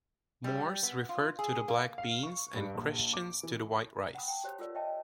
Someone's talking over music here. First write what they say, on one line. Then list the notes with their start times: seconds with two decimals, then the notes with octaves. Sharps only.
"Moors" refers to the black beans, and "Christians" to the white rice.
0.44 G3
0.83 B3
1.09 F4
1.39 G#4
1.68 A#3
1.98 F5
2.23 C#6
2.56 G2
2.75 A#1
3.13 D6
3.43 E3
3.96 A#5
4.15 F#5 G5 B5 D#6
4.28 G5 A5
4.44 G4 C5 C#5 B5
4.59 F4 A4 A#4 D5
4.74 C#5 D#5 E5 G5 A5